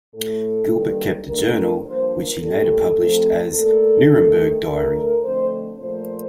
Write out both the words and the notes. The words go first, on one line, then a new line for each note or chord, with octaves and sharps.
Gilbert kept a journal, which he later published as "Nuremberg Diary".
A2 A3 A4
G2 D#3 G3 A#3
G2 D3 A3 A#4
G2 F3 A#3 C5
A#4
A2 G3 A#3 A4
F2 C3 F3 A3
A#2 A3 A4
G2 D#3 A3
D2 D3 A3 A#4
F2 D3 A3 C5
A#2 F3 A3 C5